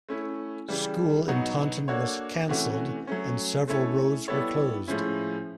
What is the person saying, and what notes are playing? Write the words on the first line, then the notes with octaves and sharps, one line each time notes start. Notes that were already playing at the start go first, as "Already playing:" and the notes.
School in Taunton was cancelled, and several roads were closed.
A3 C#4 E4
C#3 E3 G3
B2 F#3 B3 D#4 F#4
A#3 D4 F#4 A4 C#5
C3 E3 A3 C#4 F#4
F#3 A3 C#4
A3 C#4 E4 A4 C#5
G3 B3 E4 A4 C#5
A2 F3 G#3 C#4 E4